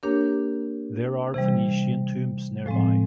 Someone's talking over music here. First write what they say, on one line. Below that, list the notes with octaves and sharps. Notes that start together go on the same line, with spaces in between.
There are Phoenician tombs nearby.
A#3 D4 G4 A#4 C#5
C3 E3 G3
A2 F3 G#3 C4